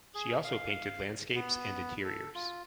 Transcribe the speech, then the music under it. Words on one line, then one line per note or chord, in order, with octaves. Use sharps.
She also painted landscapes and interiors.
G#4
F5
B3
A4
F4